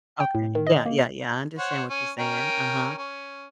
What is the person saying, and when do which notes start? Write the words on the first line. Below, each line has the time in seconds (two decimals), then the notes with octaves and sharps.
Okay yeah, yeah, yeah, I understand what you're saying, uh-huh.
0.20 G5
0.35 A2
0.55 D#3
0.67 D#5
0.86 A#3
1.58 C5 C#5 F#5
1.90 C#4
2.19 C#4 A#4 G5
2.98 C#4